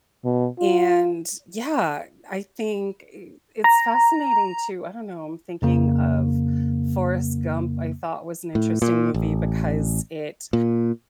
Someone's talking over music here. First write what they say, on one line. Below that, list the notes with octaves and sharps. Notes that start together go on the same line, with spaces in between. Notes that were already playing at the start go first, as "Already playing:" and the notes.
and, yeah, I think eh it's fascinating, too I don't know, I'm thinking of Forrest Gump, I thought was an interesting movie because it
B2
F4
A#5
F2 C#3 A#3
A2
A#2
A1
A#2